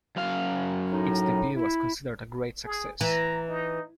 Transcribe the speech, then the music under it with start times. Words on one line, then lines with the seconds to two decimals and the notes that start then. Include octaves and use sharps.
Its debut was considered a great success.
0.16 F#2 F5
0.92 A2 D#4
1.56 E4
2.65 G#4
3.01 E3 A#5
3.48 D#4